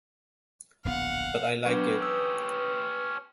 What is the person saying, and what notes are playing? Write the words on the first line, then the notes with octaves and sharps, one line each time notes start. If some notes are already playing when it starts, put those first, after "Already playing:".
But I Like It.
D1 A#1 B3 F5 F#5
F#3 B3 C#4 D4 G4 B4
B4 D#6 E6